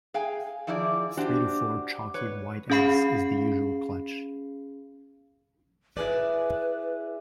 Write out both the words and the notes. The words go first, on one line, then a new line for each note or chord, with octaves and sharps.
Three to four chalky white eggs is the usual clutch.
G#4 F5 G5 G#5
D#3 F3 E4 G#4 D5
D4 F#4 G4 C5 D5
B4 C#5
C#4 G#4 F5 B5 C7
E4 G#4 B4 D5